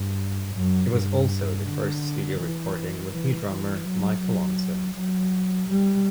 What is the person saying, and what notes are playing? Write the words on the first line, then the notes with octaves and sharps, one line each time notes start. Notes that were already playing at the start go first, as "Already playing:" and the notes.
It is also the first studio recording with new drummer Mike Alonso.
Already playing: G2
F#2
G2
D3
E3
E3
E3
F#3
F#3
F#3
G3